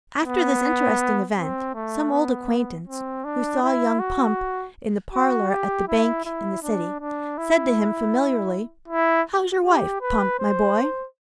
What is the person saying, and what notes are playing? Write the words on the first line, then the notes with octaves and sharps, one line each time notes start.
After this interesting event, some old acquaintance, who saw young Pump in the parlour at the bank in the City, said to him, familiarly, 'How's your wife, Pump, my boy?'
B3
C4
A3
B3
C4
D4
E4
F#4
F#4
G4
E4
E4
D4
D4
E4
E4
G4
B4
C5